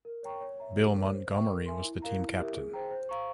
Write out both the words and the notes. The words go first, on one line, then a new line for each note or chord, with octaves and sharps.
Bill Montgomery was the team captain.
A#4
C#5 G5 A#5 C#6
C#5
E5 A#5
G4
A#4 C#5
C5
E5 G5 C#6
A#4
E5 G#5 C6
E4
A#4 F5 A#5
E4
G4 A#4 E5
G#4
C5 G5 A#5
C5
F5 A#5 C#6